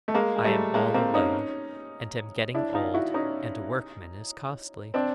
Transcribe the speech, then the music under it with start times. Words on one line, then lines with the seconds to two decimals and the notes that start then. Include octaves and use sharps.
I am all alone, and am getting old, and a workman is costly.'
0.08 A3
0.15 G#3 A#3
0.36 G#3
0.44 G3 A3
0.74 G#3 A#3
0.94 A#3 C4
1.14 C#4 D#4
2.54 D4 E4
2.74 D#4 F4
2.94 E4 F#4
3.14 C#4 D#4
4.94 C4 D4